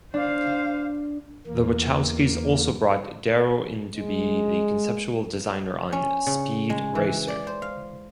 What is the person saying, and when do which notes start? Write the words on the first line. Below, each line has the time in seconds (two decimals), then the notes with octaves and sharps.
The Wachowskis also brought Darrow in to be the conceptual designer on "Speed Racer".
0.14 D4 C5 F5
1.47 E2 A#3
3.96 G#3
5.93 C#4
6.27 C#3
6.70 G#3
6.95 E3
7.28 D5
7.47 C5
7.62 F5